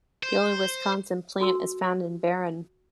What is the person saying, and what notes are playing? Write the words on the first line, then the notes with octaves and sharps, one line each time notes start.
The only Wisconsin plant is found in Barron.
C5
D4 F#4 A4 C6 E6